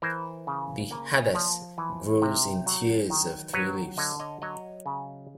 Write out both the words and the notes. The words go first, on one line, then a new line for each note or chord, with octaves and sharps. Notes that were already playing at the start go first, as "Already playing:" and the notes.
The "hadass" grows in tiers of three leaves.
E3 A#4 C5
C#3
A#3
F3
E3
C3
F#3
D#3
F#3 B4 C#5
D3 C#5 D#5
C#5 D#5
F#3 C#5 D#5
C#3